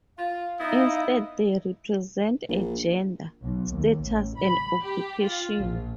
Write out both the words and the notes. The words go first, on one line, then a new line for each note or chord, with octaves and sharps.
Instead, they represent a gender, status, and occupation.
F4 F5
B3 D#4 E4 D#5
A#1
B1
D#2
A1
B5
G4
F4
A#1